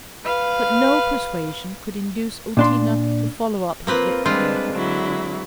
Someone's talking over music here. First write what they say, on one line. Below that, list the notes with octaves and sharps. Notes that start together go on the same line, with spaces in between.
But no persuasion could induce Outina to follow up his victory.
B4 F5
A#2 D4 C6
A#3 C4 F4 B4
G3 G#3 C4 D4 F4 B4
D3 F#3 E4